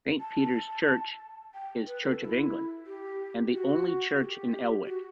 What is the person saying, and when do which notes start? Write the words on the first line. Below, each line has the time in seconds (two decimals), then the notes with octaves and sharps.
Saint Peters church is Church of England and the only church in Elwick.
0.20 A5
1.54 G5
1.87 B4
2.03 A4
2.21 F#4
2.25 E4
2.86 G4
3.53 F#4
4.20 A4
4.25 G4
4.86 F#4